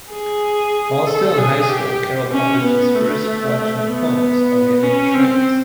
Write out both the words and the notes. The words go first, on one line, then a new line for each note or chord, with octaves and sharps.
While still in high school, Carroll published his first collection of poems, Organic Trains.
G#4
A4
G#4
G4
C#4
B3
A3
B3
C#4
C4